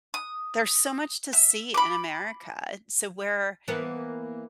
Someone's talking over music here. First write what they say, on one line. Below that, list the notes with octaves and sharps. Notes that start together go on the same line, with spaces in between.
there's so much to see in America, so, where
D#6
E5
B5 D6
E3 A#3 B3